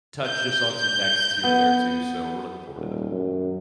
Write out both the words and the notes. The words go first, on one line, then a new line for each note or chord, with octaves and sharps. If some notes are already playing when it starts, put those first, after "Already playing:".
touch just on some texts here and there too. So, we're looking forward to that.
G6
B3
D#1
F#2